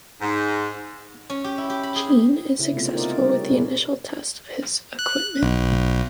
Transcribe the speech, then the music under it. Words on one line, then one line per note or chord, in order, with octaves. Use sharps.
Gene is successful with the initial test of his equipment.
G#2
C#4
G4
E4
G4
B5
G#4
C#3 E4
C3 G#3 A3 B3 C4 F4
D#4 F4 A#4 C5 D5 D#5
G3 D4 D#4 G4
C#5
A#2 G#4 B4 D5
F#6
B1